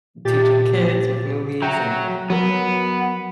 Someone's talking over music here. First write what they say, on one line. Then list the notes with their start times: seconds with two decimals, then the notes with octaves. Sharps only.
teaching kids with movies and
0.25 A#2 G4 A6
1.62 F#3 E5 G5 A#5
2.30 F#3 B3 A#4